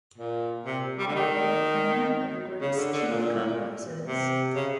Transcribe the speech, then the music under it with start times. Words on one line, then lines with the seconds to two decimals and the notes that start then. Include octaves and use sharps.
Coy and Hannah are the group's chief composers.
0.18 A#2
0.66 C3
0.98 G3
1.08 D3
1.15 D#3
2.61 C#3
2.76 D3
2.93 D3
3.09 A#2
3.21 A#2
3.34 A2
3.46 A#2
4.07 C3
4.55 C#3